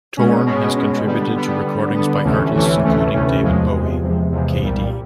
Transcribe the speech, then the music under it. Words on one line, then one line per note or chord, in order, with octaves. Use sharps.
Torn has contributed to recordings by artists including David Bowie, k.d.
B2 G#3 C#4
B2 G#3 C#4
B2 G#3 C#4
D3 G3 B3 D4
D3 G3 B3 D4
D3 G3 B3 D4
D3 G3 B3 D4
D2 C3 E3 A3 C#4
D2 C3 E3 A3 C#4
D2 C3 E3 A3 C#4
D2 C3 E3 A3 C#4
E2 C3 F3 G#3
E2 C3 F3 G#3
E2 C3 F3 G#3
E2 C3 F3 G#3
C2 A#2 G3